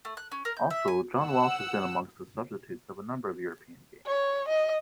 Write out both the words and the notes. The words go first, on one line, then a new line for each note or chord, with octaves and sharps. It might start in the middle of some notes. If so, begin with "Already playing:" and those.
Also, John Welsh has been amongst the substitutes for a number of European games.
A3
F#6
C#4
A#4
G6
E5
G#5
F#5 E6
C#5
D#5